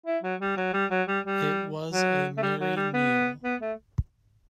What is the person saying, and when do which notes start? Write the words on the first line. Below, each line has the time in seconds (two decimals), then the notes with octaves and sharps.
It was a merry meal.
0.06 E4
0.23 F#3
0.40 G3
0.57 F#3
0.73 G3
0.91 F#3
1.07 G3
1.24 G3
1.92 F#3
2.37 A3
2.42 G3
2.60 F#3
2.76 G3
2.93 B3
3.44 B3
3.61 A3